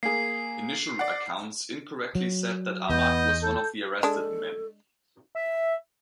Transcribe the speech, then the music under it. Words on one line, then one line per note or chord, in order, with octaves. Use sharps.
Initial accounts incorrectly said that Ahmad was one of the arrested men.
A#3 G#4 C7
D5 F#5
F#3
E2 B3 D#5 G6
A4
G#3 D4 A4
E5